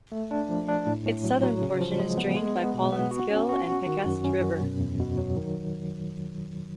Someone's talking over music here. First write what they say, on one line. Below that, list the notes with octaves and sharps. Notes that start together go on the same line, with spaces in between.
Its southern portion is drained by Paulins Kill and Pequest River.
A3
D4
F3
D4
A2
A2
F#3
F#3
C#3
F3
G#3
B3
G#3
B3
B2
B3
F#4
C#4
F#4
F#4
D#3
F#2
C#4
F#2
B2
E2
B2
F#3
D#3